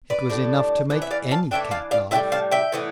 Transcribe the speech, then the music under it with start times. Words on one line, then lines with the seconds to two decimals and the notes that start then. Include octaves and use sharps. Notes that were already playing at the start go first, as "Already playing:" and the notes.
It was enough to make any cat laugh.
0.10 B4 D5
0.30 A2 G3 D4
0.90 E3 B3 D4
1.02 E5
1.11 D5 F5
1.31 F5 A5
1.51 E3 A3 D4 E5 G5
1.71 F5 A5
1.91 D5 F5
2.11 A2 G3 B3 E4 E5 G5
2.32 F5 A5
2.51 E5 G5
2.72 A2 E3 B3